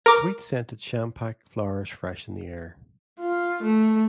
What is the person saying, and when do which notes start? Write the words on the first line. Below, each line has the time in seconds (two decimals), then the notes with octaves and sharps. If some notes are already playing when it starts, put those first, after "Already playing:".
Sweet scented champak flowers freshen the air.
0.06 A#4 D6
3.20 F4
3.63 A3